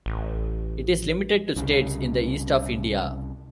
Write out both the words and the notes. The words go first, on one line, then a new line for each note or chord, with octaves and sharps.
It is limited to states in the East of India.
A1
C2 C#3